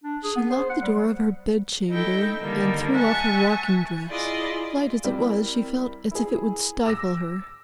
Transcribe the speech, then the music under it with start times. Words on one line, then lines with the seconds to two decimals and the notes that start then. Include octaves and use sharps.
She locked the door of her bedchamber, and threw off her walking-dress; light as it was, she felt as if it would stifle her.
0.04 D4
0.23 G#4
0.36 B3
0.50 C5
0.69 F#5
0.82 G3
1.89 D#4 E4 A4 G5
2.40 D3 D#3 G3 A#3
2.96 E5 F#5 G#5 A5 C#6
4.07 E4 F4 G#4 D5 D#5
5.04 G3 C4 E4 G4 A#4
6.11 E4 G#4
6.86 D6 E6 A#6